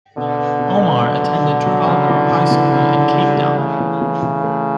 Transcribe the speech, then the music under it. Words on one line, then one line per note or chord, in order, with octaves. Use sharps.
Omar attended Trafalgar High School in Cape Town.
B2 D3
B3
B2
B3
F#3
F#3
B2
F#3
C#3
E3
C#3
E3
C#3
C#3
G3
E3
C#3 A3
E3
E3
E3
A3